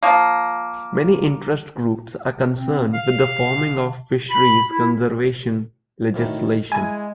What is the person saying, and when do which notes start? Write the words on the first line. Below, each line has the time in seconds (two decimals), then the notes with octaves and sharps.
Many interest groups are concerned with the forming of fisheries conservation legislation.
0.03 F3 A#3
2.50 C4
2.93 F5
4.30 B5
4.68 E4
6.14 D2 A2 D#3
6.72 G#3 E4 G#5